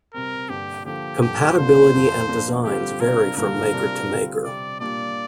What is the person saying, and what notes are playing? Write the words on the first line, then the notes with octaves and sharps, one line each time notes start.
Compatibility and designs vary from maker to maker.
C3 G3 C4 A#4
G2 D3 A#3 D4 G4
D3 F3 A#3 F4 G4
G2 D3 F3 A#3 G4
D3 A#3 D4 F4 C5
F2 D3 F3 C4 F4
A#2 F3 A#3 D4
D3 G3 C4 F4 G4
C3 G3 D4 F4 A#4
G2 D3 A#3 D4 F4 A#4
C3 G3 D4 F4
D3 G3 C4 F4
C3 G3 C4 D5
A#2 G3 A#3 D4 F4 D5